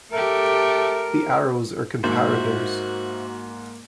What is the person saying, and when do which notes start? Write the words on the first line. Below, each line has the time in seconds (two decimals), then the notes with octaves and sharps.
The arrows are comparators.
0.12 A3 G4 A4 A#4
2.04 G#2 A#3 F#4 C5 E5